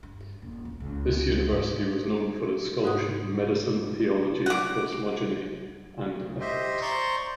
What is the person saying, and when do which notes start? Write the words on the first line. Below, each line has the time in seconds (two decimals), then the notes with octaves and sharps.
This university was known for its scholarship in medicine, theology, cosmogeny and ethics.
0.03 G2
0.42 D#1
0.65 A1
0.80 C#2
1.52 G#2
2.84 G#2 D#4 F#4 G#4 F#5 D#6
4.46 F#5 D6
6.12 D2
6.41 G4 C5 D#5 E5
6.82 C5 D5 A#5 C6 C#6